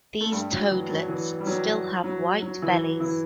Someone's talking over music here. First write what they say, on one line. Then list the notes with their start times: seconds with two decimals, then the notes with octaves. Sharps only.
These toadlets still have white bellies.
0.21 A3
0.32 G2 G3
0.51 F#3
0.71 E3
0.89 F#3
1.08 E3
1.40 G3
1.47 F#3
2.04 F#3
2.42 F#3
2.62 E3 E4
3.00 E3 E4